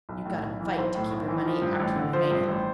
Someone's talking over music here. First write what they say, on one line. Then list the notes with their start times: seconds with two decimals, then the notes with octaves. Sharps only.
You got to FIGHT to keep your money after you've made it.
0.09 B1
0.26 A2
0.43 B1
0.61 E3
0.78 B1 C5
0.95 A2
1.11 B1
1.28 E3
1.45 F3
1.62 G2
1.80 A1
1.96 D3
2.13 F3 C5
2.31 G2
2.48 A1